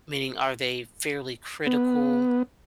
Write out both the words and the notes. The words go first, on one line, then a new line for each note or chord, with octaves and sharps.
Meaning, are they fairly critical
B3